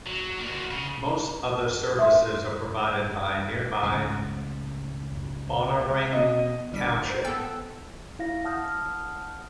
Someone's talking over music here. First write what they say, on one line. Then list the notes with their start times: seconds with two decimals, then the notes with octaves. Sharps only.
Most other services are provided by nearby Balnarring township.
0.06 F#3
0.39 A#3 F#4
0.71 C#3
1.99 E5 C6
3.83 C#2 A2
6.13 B2 D#5
6.72 G1 G3 D4 B6
7.01 C5
7.25 B3 A4 G5 E6
8.19 E4 F5 A#6
8.44 F#5 A5 D#6 F6 G6